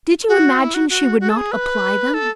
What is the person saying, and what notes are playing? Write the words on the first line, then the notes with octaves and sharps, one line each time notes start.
Did you imagine she would not apply them?
F#4
E4
F#4
F#4
F#4
A4
G#4
B4
A4